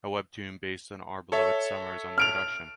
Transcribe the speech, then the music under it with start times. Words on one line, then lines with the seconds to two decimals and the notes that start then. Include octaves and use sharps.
A webtoon based on "Our Beloved Summer" is under production.
1.32 A4 C#5 E5
2.18 F6 D7 F7